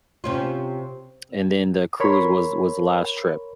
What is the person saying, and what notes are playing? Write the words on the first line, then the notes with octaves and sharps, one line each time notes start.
And then the cruise was was the last trip.
C3 C#4 F4
A#4 C#5 B5 C6